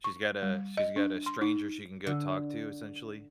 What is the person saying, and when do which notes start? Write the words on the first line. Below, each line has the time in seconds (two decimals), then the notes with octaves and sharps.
She's got a she's got a stranger she can go talk to, essentially?
0.04 C#6
0.43 G3
0.77 D#5
0.96 D4
1.26 C6
1.41 D#4
2.07 D3